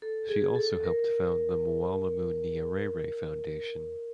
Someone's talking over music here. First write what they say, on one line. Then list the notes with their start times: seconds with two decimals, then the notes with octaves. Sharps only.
She also helped found the Mwalimu Nyerere Foundation.
0.02 A4
0.29 G#4
0.55 A4
0.84 A#4